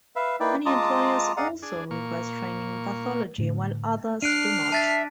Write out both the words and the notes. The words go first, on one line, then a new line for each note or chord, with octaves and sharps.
Many employers also request training in pathology while others do not.
B4 E5 F5
A#3 D#4 E4 B4 D5 G5
G#3 F4 A5 A#5 D6 D#6
G#4 D5 D#5 F5 F#5 A#5
D4 G#4
A#2 A#3 C#6
A2 D3
D4 F6 F#6 C7 D7 D#7
E5 A5 A6 B6